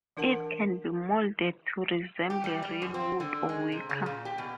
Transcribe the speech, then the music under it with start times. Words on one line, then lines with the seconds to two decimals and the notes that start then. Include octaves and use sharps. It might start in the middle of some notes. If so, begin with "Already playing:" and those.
It can be moulded to resemble real wood or wicker.
0.17 E3 D4 A#4 F#5 A5
2.30 G4
2.44 G3
2.62 G3
2.82 F#2
2.94 C4
3.20 D3
3.49 G#3
3.72 C3
3.89 C#3
4.06 A#2
4.25 G4
4.38 B2